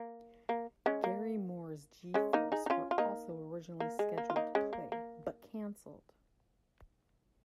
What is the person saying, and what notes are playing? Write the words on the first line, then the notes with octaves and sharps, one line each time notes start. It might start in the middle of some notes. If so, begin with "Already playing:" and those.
Gary Moore's G-Force were also originally scheduled to play but cancelled.
Already playing: A#3
A#3
G#3 C#4
A#3
G#3 C#4
A#3 D#4
D#4 G#4
D#4
C#4 F4
F4
A#3 D#4
A#3
G#3
A#3
F4
A#3 D#4
G#3 C#4
A#3
A#3